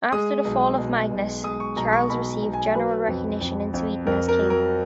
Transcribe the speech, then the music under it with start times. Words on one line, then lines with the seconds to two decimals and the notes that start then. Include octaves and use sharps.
After the fall of Magnus, Charles received general recognition in Sweden as king.
0.12 G#3 D#6
0.45 B1
0.78 B1
1.11 B1
1.44 G#3 D#6
1.60 C#6
1.76 B1 A#5
1.93 C#6
2.09 B1 B5
2.42 B1
2.53 G#5
2.75 F#3 B4
3.08 F2
3.41 F2
3.74 F2
4.07 F2 A#4
4.28 A#4
4.40 F#3
4.50 A#4